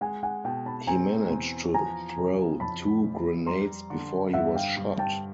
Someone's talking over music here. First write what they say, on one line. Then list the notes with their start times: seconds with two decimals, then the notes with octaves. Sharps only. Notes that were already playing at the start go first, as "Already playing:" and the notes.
He managed to throw two grenades before he was shot.
0.01 G#3 F#5 G#5
0.23 F#5 G#5
0.44 B2 G5 A5
0.66 A5 B5
0.87 C4 G#5 A#5
1.31 E2
1.74 F3 G#5 A#5
2.18 C#3
2.60 F2 A5 B5
3.04 F2
3.47 G3 A#5 C6
3.90 D3
4.33 G2 E5 F#5
4.55 F5 G5
4.77 G2
4.99 G5 A5